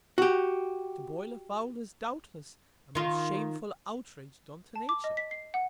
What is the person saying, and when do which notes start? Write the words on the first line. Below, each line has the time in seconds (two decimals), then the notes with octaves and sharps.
To boil a Fowl is, doubtless, a most shameful Outrage done to Nature.
0.18 F#4 G4
2.95 D#3 F4
4.76 A5
4.89 D6
5.04 D#5
5.17 B6
5.31 C7
5.54 F#5